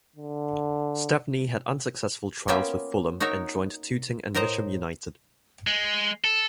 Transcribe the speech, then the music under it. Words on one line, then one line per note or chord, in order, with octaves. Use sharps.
Stepney had unsuccessful trials with Fulham and joined Tooting and Mitcham United.
D3
A#3 B3 C#4 F4 E5 G5
D#4 F#4 A#4 C#5 E5
A2 A#4 C5 D#5 A#5
G#3
A4